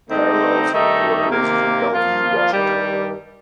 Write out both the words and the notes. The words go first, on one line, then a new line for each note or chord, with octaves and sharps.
Parallels headquarters is in Bellevue, Washington.
D3 A3 C4 D#4
G2 D#3 A3 D#4 G4
C3 D#3 A#3
F3 A#3 F4
G2 D#3 G3